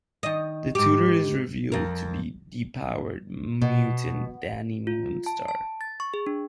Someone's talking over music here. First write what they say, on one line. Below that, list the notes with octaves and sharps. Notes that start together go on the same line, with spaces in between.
The tutor is revealed to be depowered mutant Dani Moonstar.
D#3 D#5
G#2 G4
F2 A#4
B2
F4
A5
A5
A6
C#6
G#4
D4